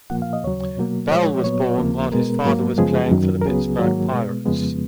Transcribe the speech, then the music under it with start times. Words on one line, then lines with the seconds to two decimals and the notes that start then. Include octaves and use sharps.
Bell was born while his father was playing for the Pittsburgh Pirates.
0.10 A#2 F3 A#3 F#5
0.22 F5
0.33 D#5
0.43 D#2 C#3 F#3 C#5
0.78 B2 F#3 A#3
1.11 A#2 F3 G#3 C#5
1.44 A#2 F#3 B3 C#5
1.78 D#2 C#3 F3 A#3
2.12 B2 G#3 B3 A#4
2.45 G#2 F#3 A#3
2.78 F#2 C#3 F3 G#3 B3 G#4
3.11 F#2 D#3 F#3
3.41 A#4
3.45 C#2 C#3 F#3 B3 G#4
3.79 G#2 D#3 F#3 A#3
4.12 B2 G#3 B3
4.45 F2 C#3 F3 G#3 B3